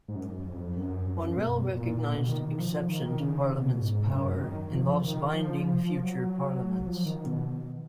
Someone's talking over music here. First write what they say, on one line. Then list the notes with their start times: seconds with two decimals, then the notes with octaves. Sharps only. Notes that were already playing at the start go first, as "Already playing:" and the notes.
One well-recognised exception to Parliament's power involves binding future Parliaments.
0.08 G#2
0.16 F#2
0.45 F2
0.76 F#2
1.07 F#2
1.37 B2
1.68 A#2
1.98 A#2
2.13 B2
2.28 D#3
2.43 D#3
2.59 F3
2.89 D#3
3.20 C#3
3.50 B2
3.80 G#2
4.11 F#2
4.41 D#3
4.72 F3
5.02 D#3
5.33 F3
5.64 F3
5.84 F3
6.04 F#3
6.86 F3
7.06 D#3
7.26 B2